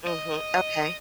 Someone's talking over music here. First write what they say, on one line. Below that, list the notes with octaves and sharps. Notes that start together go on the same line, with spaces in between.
Mhm, okay.
D#5